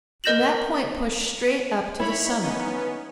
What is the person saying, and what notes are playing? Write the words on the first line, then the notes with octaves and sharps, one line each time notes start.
From that point push straight up to the summit.
A#4 D#5 G6 A#6 E7 F#7
D#4 E4 C#5 B5
B3 C#4